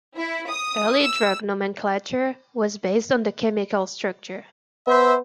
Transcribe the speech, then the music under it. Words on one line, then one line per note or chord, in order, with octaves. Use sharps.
Early drug nomenclature was based on the chemical structure.
E4
D#6
E6
B3 C5 E5